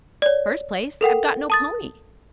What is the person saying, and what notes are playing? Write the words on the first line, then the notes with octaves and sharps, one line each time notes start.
"First place, I've got no pony."
C#5 D5
A4 A#4 F#5 G5
A5 D#6 A6